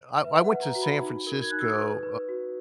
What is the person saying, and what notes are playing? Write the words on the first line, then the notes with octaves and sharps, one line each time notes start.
I I went to San Francisco,
B4 E5
F#5
B4
A#5
F#4
B5
D#4
A#4
G#6
D#4 F#6
E6
D#6
B4 C#6
B4
F#4